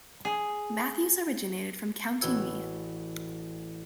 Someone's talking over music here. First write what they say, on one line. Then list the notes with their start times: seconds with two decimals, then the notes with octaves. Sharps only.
Matthews originated from County Meath.
0.25 G#4
2.21 A1 F#4 B4 E6 G#6